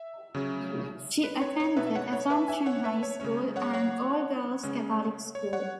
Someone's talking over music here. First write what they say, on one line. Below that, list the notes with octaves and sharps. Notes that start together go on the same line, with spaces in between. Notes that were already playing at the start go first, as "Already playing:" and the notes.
She attended Assumption High School, an All-Girls Catholic school.
Already playing: E5
C#3 F#3 C#4
B4
C#5
C#5
B2 B3 B4 E5
E5
C#5 F#5
C#5
B4 E5
E5 G#5
C#5 F#5
B4 E5
C#5
C#3 G#3 C#4 C#5
C#5 F#5
C#5 F#5
C#3 G#3 C#4
C#5
C#5 F#5